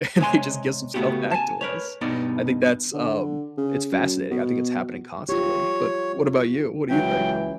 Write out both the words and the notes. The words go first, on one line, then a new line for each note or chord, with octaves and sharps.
and they just give some stuff back to us. I think that's, um it's fascinating, I think it's happening constantly, but what about you? What do you think?
C3 G#3 C#5 G#5 C6
C#3 A3 B3 C4 F#4 G4
G#5 A5
A#4 B4 C#5
G2 B2 B3 D#4 A#4 D5
D3
C#3
F#2
B2
F4 G4 C#5
C#2 E3 F#3 G5